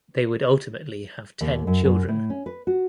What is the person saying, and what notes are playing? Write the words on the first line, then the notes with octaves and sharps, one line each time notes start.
They would ultimately have ten children.
D#2
F#2
F#2
A2
C#4
B4
F#4